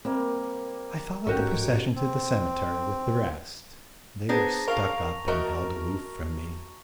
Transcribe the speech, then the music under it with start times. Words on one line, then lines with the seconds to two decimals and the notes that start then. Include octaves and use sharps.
I followed the procession to the cemetery with the rest; they were stuck-up and held aloof from me.
0.05 G3 A#3 C4
1.27 A1 G#2 C#4 F#4 G4 A4 A#4 D#5
1.96 C4
4.29 B3 D4 G#4 C5 A5 A#5 A#6
4.68 A#4 F5 C#6 F7
5.28 A3 F#4 A#4 D#5